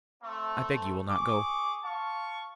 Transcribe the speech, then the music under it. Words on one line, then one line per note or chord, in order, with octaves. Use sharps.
I beg you will not go.
A3 C4
G#4 C#6 D6
F4 F5 A5 C#6